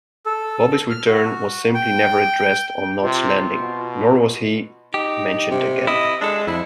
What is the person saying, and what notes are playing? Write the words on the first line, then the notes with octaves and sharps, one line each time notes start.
Bobby's return was simply never addressed on "Knots Landing", nor was he mentioned again.
A4
F6
F#4
G5
C3 F4
B2
D#4 G4
C3
E4 D#5
G#3 D4 A4
F2 E4